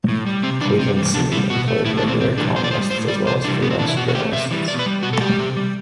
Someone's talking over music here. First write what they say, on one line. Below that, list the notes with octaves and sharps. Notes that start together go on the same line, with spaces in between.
"Cleveland Scene" employs regular columnists as well as freelance journalists.
A2
G3
C3 C4
E3 D4
G3
C3 C4
E3 G3
C3 D4
G3 E4
B2 F#4
A3
A2 E4
D4
E3 A3 C4
C3 C4
E3 G3 D4
B2 C5
D5
G3 C5
A2 C5
G3 D5
C3 C5
E3 G3 D4
A2 B3
C4
E3 A3 D4
E4
B2 F#4
F#4
A3 G4
C3 E5
E3 G3
B2 D5
B4
G3
B2 F#4
A4
G3 G4
C3
G3